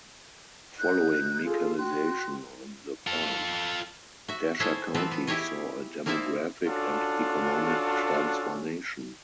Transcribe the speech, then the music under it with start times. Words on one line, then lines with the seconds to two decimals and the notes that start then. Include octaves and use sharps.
Following mechanization on the farm, Desha County saw a demographic and economic transformation.
0.78 D#4 F#6 G6
1.43 F4 G#4 A4
1.77 F#4 G5 C6 F#6
3.07 F4 A4
4.28 F#4 E5
4.60 E4 G#4 A4 C5 C#5 D#5
4.94 E3 F3 B3 C4 A4 B4
5.11 B3
5.27 E4 G4 G#4 C#5 D#5
6.06 A#3 C4 D#4 E4 D5 E5
6.67 C#4 D4 F4 F#4 A4